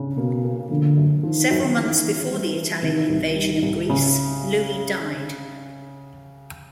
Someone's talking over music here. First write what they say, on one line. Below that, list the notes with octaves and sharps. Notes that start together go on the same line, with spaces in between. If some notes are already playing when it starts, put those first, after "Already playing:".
Several months before the Italian invasion of Greece, Louis died.
Already playing: C#3 D4
B2 A#3
A#3
D3 F3
F#2
D#3 F3
F#2
D#3 E3
E3
G3
E3
C3 D#3
C2
D#3 G3
C2
C#3